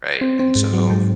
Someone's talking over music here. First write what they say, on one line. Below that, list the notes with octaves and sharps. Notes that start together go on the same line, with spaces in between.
Right, and so,
C4
C4
G#2
F#3
G#2